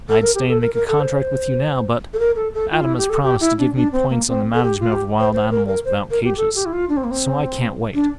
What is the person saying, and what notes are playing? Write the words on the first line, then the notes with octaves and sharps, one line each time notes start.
I'd stay and make a contract with you now, but Adam has promised to give me points on the management of wild animals without cages, so I can't wait.
A4
A#4
G4
A4
A#4
A#4
A4
C5
A4
A#4
A4
A4
F4
E4
G4
A4
G4
E4
D4
D4
C4
A#3
C4
A4
G4
F4
G4
C5
C5
A#4
A#4
C5
A#4
G4
A4
G4
E4
F4
D4
C4
A#3
C4
D4